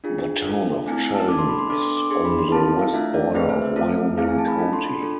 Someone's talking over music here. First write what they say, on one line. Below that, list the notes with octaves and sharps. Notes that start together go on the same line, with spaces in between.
The Town of Sheldon is on the west border of Wyoming County.
D4 F4 G#4
D4 F4 A4
A3 C4 E4 G#5
A5
D4 A4 D6
C6
B5
C6
B3 D4 A4 D6
C6
D6
D4 G#4 C6
B5
C6
C4 E4 A4 A5
F5
A3 D4 F4 E5
D5
A3 C4 G#4 B4
C5
E5
A3 C4 F4 A4
A3 C4 E4 G#4 F5
G#5
A5
B5
D4 F4 A4
C6
B5
D4 F4 A4